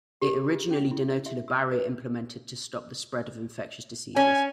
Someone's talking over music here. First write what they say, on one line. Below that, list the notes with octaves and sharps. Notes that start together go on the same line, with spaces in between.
It originally denoted a barrier implemented to stop the spread of infectious diseases.
G4
G#4
F4
C#4
E4
C#5
E5
E6
B4
C#4 G#5